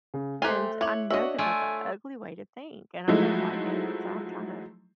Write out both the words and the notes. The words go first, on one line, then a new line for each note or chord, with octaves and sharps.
And I know that that's a ugly way to think, and I don't like it, so I'm trying to
C#3
A3 G4 A#4 C5 G#5 C6 F#6 F7
E4 C#5 D6 F#7
D4 F#4 C#5 D#5 E5 F#7
A3 F4 D5 G#5
F3 F#3 G#3 A3 D#4 E4